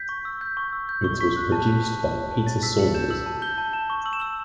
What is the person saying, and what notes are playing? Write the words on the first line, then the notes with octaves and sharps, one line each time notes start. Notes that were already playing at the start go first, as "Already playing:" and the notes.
It was produced by Peter Saunders.
Already playing: G6 B6
C#6
E6
G6
C#6
E6
G6
C#6
C#6 B6
F#6
A5
A5
A5
A5
A5
A5
A5 A6
E6 B6
A5 C#7
G6 E7
E6 F#7
A5
G6 G7
A5
A5 E7
C#6
E6 F#7
E7
E6 F#7